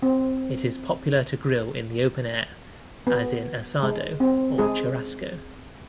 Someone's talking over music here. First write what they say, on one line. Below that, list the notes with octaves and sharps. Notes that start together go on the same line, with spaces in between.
It is popular to grill in the open air as in asado or churrasco.
C4
B3
G#3
C4
G#3 G#4